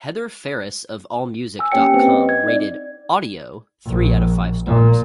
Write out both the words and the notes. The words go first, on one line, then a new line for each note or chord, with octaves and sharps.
Heather Phares of Allmusic dot com rated "Audio" three out of five stars.
G#5 E6
A#3 C#4 G4 C#5 G5 C#7
C4 D4 B4 C5
D#5
G#6
D#4 D5
A#1
A#2